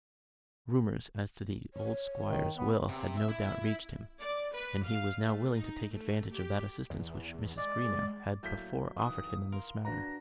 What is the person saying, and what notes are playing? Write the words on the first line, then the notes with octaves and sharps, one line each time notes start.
Rumours as to the old Squire's will had no doubt reached him, and he was now willing to take advantage of that assistance which Mrs. Greenow had before offered him in this matter.
C#5
D#3
B3
C3
E5
E4
D5
B4
F5
A3
D#4
A3
G4
E2
G#3 D5
A2 F#3 A3 A#3 G6 B6
F2 D#3 E3 D#6
A#4 F5 C6
D4 F#4 B4 A#5 A#6